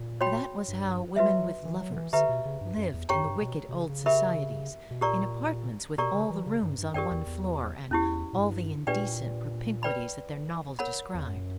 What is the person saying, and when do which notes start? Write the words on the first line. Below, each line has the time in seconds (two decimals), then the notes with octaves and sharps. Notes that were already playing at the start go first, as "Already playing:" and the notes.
That was how women with lovers lived in the wicked old societies, in apartments with all the rooms on one floor, and all the indecent propinquities that their novels described.
Already playing: A#2
0.21 F#4 C#5 G5 B5
0.68 G2
1.16 F#3 F#4 B4 E5
1.65 E3
1.81 F#3
1.92 D3
1.97 E3
2.13 D3 G4 B4 E5 A#5
2.29 B2
2.45 C#3
2.61 G2
2.77 F#2
2.94 E2
3.09 F#2 G4 C#5 G5 A#5 C#6
3.25 G2
3.41 B2
3.69 B2
3.73 C#3
3.89 C#3
4.06 G4 A#4 E5 B5
4.91 B2
5.01 A#2 G4 A#4 D5 A#5 C#6
5.98 B2 G4 A#4 D5 A#5 C#6
6.14 C#3
6.30 E3
6.46 C#3
6.63 G2
6.78 G2
6.94 F#2 G4 A#4 D5 G5
7.11 E2
7.27 E2
7.91 E2 C#4 E4 G4
8.33 A#2
8.39 G2
8.87 A#2 D4 G4 B4 D5 G5
9.83 B4 D5 G5 B5
10.79 A#4 C#5 F#5 B5
11.14 E2
11.27 F#2